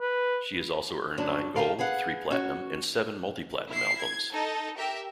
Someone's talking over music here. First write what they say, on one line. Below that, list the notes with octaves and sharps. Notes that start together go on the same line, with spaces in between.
She has also earned nine gold, three platinum, and seven multi-platinum albums.
B4
F#2 F#3 D4
G4 G#4 A#4 F5 A5
G#4 B4 F5 F#5
C#4 F#4
E4 C7
G#6
D#4 A4
G4 A#4 E5